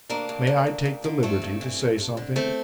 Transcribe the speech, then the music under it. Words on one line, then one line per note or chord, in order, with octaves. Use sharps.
'May I take the liberty to say something?'
D2 A#3 D4
D2
D3
D2
D2
D3
G2 A3 C4
G2
E3
G2
G2
D3
E2 A3 C4